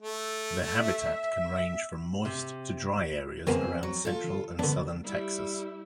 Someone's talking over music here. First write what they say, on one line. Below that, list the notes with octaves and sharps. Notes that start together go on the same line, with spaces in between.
Their habitat can range from moist, to dry areas around central and southern Texas.
A3
E5
C3
F2 D#3 B3 G#4 C5 A#5
F#3
F4 A4
D3 B3 D4
G3 E4 G4